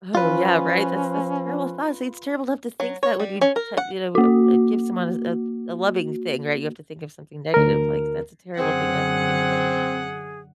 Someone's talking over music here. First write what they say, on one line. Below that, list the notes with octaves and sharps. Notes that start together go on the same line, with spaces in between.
Oh, yeah, right? That's that's terrible thoughts. It's terrible to have to think that when you t You know, uh, eh, give someone a s a loving thing, right? You have to think of something negative. Like, that's a terrible thing to have to think that way
F3 C#4 F4 B4
F#3
C#5
G3
C#4
A#4
F#5
A#3 F#4
D2 A#4
F#2 D3 C4 G#4 F#5